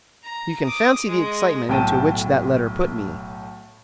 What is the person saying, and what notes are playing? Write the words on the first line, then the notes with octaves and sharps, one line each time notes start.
You can fancy the excitement into which that letter put me.
A#5
D6 D#6
G#3 D#5
B1 A2 G5 A5 D#7